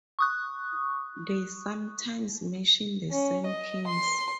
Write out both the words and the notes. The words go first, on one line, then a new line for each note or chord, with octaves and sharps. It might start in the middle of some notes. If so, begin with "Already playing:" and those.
They sometimes mention the same kings.
C#6 D#6 F#6
C#4
D#5
C6